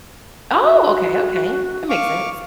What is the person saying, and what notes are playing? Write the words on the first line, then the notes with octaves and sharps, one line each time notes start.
Oh! Okay, okay. That makes sense.
F#4
F5 C#6 D6